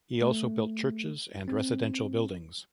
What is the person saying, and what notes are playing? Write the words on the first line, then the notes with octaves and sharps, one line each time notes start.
He also built churches and residential buildings.
A3
C4